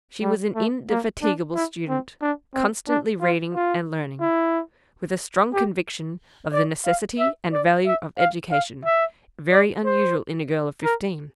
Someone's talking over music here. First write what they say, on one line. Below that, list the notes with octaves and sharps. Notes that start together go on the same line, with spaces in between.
She was an indefatigable student: constantly reading and learning; with a strong conviction of the necessity and value of education, very unusual in a girl of fifteen.
G3
A3
A#3
D4
E4
C4
D4
C4
D4
F4
F4
E4
G4
D5
F5
E5
D5
E5
F5
F5
E5
D5
C5
A#4